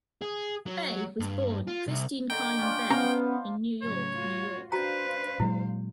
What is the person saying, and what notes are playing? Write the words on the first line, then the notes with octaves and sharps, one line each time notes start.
Bay was born Kristine Carlin Bay in New York, New York.
G#4
F#3
G2
F4
C2
D3 D#3 G5
C#4 D4 F4
B3 C#4 C5 F5 A#5
A2 C#3 F#3 C#5
F4 F#4
D4 F#4 B4 C5 F5 G5 A#5
A#2 F#3 G#3 E4